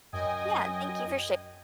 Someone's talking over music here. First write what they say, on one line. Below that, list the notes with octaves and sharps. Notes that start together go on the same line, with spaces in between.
Yeah, thank you for shar
F#2 D#5 G5 G#5